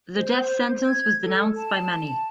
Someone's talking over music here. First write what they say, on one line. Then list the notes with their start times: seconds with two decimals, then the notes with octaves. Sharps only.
The death sentence was denounced by many.
0.14 C5
0.83 G#6
1.22 A4
1.57 A5